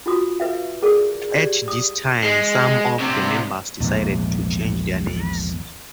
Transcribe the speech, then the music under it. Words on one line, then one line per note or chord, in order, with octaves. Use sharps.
At this time some of the members decided to change their names.
F4 F#4 D#6
B4 E5 F5
G#4 A#4 D5
G4 D5
D#6
G#3
D2 C3
A#1 E2 G#2 G#3